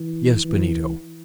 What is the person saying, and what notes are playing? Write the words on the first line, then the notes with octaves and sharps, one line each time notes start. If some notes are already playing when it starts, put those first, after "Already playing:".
"Yes, Benito."
Already playing: E3
E3